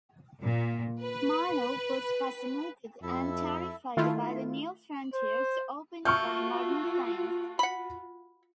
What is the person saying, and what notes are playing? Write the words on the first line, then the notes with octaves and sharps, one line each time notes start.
Marlowe was fascinated and terrified by the new frontiers opened by modern science.
A#2
B4
F2 E4 A4 E5
D#3 A3 E4 F4
C5
A3 F4 F#4 C#6 F6 G6
F#5 B5